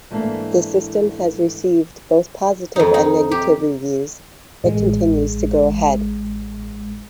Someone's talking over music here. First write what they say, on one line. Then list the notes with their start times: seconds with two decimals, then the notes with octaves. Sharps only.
The system has received both positive and negative reviews but continues to go ahead.
0.11 G#2 E3 A3 A#3 D4
2.76 F2 D#4
2.94 D#4
3.31 G4
4.64 A1 G#3